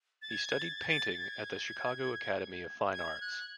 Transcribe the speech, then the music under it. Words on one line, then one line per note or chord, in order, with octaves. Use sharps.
He studied painting at the Chicago Academy of Fine Arts.
A6
G#6
A6
G#6
A6
A6
G#6
G#6
F#6